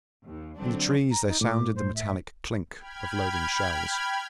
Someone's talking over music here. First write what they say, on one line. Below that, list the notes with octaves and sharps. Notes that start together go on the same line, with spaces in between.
In the trees there sounded the metallic clink of loading shells.
D#2
D3 F#3 C4 D4
A#5
D#4
A2 D6
C5
E5
G5 B5 F6 G#6